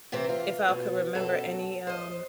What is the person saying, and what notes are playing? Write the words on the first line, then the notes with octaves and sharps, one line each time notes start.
if I could remember any, um,
C3 E3 C4
F4
B2
F#2 B2 A4
C5 D#5